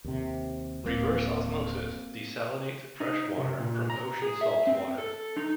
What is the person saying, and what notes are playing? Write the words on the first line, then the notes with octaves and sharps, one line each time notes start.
Reverse osmosis desalinates fresh water from ocean salt water.
D#2 C3
D1 A#3 C4
D#4
C3
A#2
A#5
G#4
E5
C4
A4
D#4